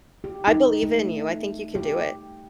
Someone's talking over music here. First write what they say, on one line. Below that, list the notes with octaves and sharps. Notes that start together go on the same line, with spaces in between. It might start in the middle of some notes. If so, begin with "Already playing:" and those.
I believe in you. I think you can do it.
G4
D#4
A3
G4